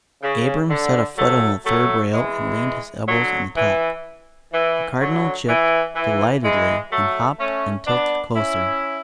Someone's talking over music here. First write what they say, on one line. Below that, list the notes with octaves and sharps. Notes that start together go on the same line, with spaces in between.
Abram set a foot on the third rail and leaned his elbows on the top. The Cardinal chipped delightedly and hopped and tilted closer.
C#3
D3
F#3 A3
F#3 A3
E3 G#3
D3 F#3
E3
E3
D3 F#3
E3
E3
E3 G#3
F#3 A3
A3 C#4
B3 D4
C#4 E4